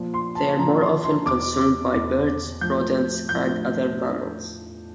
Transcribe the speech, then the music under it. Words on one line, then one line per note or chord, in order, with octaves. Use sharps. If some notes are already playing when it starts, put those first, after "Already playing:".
They are more often consumed by birds, rodents and other mammals.
Already playing: A#2 F3
C6
A5
A#2 F3 A#5
C6
C6
E2 B2 D6
E2 B2
A2 F3 G6
A2 F3 G6